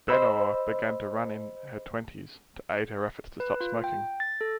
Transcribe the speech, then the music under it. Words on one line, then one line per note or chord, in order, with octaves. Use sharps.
Benöhr began to run in her twenties, to aid her efforts to stop smoking.
C5 D#5 B5 E6
B4
F4
G5
A6
A4